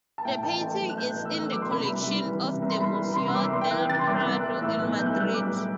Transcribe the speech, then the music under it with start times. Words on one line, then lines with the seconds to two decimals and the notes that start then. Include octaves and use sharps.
The painting is in the collection of the Museo del Prado in Madrid.
0.18 A5
0.25 A2 G5
0.43 A1 A5
0.61 A3 A5
0.80 F#3
0.90 F#6
0.98 A2 G6
1.15 A1
1.25 E6
1.34 A3 F#6
1.43 E6
1.52 F#3 D6
1.62 C6
1.70 C3 B5
1.89 C2
2.07 G3
2.25 E3
2.44 C3
2.62 C2
2.70 C6
2.79 G3 B5
2.98 E3
3.13 B5
3.16 C3 C6
3.28 E6
3.35 C2 D6
3.53 C2 C6
3.61 G5
3.71 E3 F#6
3.89 C3 A6
3.99 C6
4.07 C2 D6
4.21 F#6
4.26 C2 E6
4.43 E3 F#6
4.62 A2 E6
4.80 B1 F#6
4.99 B1 G6
5.06 F#6
5.13 E6
5.16 G3 F#6
5.34 A2 D6